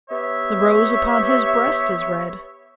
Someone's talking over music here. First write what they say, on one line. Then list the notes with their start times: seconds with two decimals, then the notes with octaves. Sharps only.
The rose upon his breast is red.
0.09 B3 G4 C#5 E5